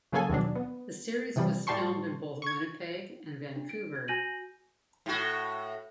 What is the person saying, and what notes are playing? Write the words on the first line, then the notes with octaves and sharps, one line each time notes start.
The series was filmed in both Winnipeg and Vancouver.
C#3 F#3 A#3 G#4 A4 G#5
D#2 B2 F#3 D4
B3
C3 E3 F3 G3
A2 G3 G4 A5 C6 C#6
C#6 G#6
D4
D7
G#6
F#4 G#5 G6 A#6 D#7 F#7
A2 F#4